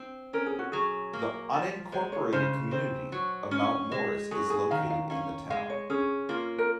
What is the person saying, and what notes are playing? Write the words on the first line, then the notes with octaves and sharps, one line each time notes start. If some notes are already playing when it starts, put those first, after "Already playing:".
The unincorporated community of Mount Morris is located in the town.
Already playing: C4
C#4 A#4
G#4
F#4
F#3 G#4
A#3
F3
G#3 C5
C#5
C#3 C5
C4 C5
F#3
C#4
G#3
F#3 G#4
G#4
D#3 F5
F5
C#4 F5
G#3 F5
C#5
C#4 G#4
A#3 F4
A#4